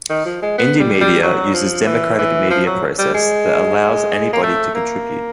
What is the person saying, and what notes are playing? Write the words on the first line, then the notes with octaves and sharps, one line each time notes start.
Indymedia uses democratic media process that allows anybody to contribute.
D#3
F3
G#3
B3
G3
G3
F#3
F3
E3
E3
F3
F#3
G3
G#3
A#3
A3
A#3